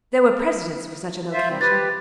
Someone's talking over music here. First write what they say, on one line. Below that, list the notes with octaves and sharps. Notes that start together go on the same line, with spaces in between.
There were precedents for such an occasion.
F4 C5 E5
C3 G3 C4
G4 B4 A6